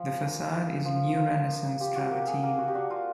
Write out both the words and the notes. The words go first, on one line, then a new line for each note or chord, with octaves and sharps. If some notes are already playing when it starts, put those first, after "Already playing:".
The facade is neo-Renaissance travertine.
Already playing: F3 G#4
A#3
D#4
F3
F3
A#3
F4 G4
F#4
A#3 G4
G#4
A#3 A#4
F#4
G4
D4 F#4
F4